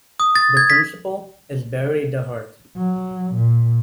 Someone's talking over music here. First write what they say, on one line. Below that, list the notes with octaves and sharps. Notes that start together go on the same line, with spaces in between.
The principal is Barry DeHart.
D#6
A6
G#6
B6
F#3
A#2